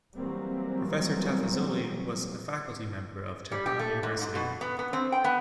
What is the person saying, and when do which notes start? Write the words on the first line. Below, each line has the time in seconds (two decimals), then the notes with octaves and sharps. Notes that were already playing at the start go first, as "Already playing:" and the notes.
Professor Tafazzoli was a faculty member of Tehran University.
0.16 E3 F#3 G3 A#3 C4
3.52 G3
3.66 G4
3.79 A3
4.03 G#2
4.21 G#2
4.35 B2
4.61 B3
4.79 B3
4.93 C4
5.12 G5
5.24 B3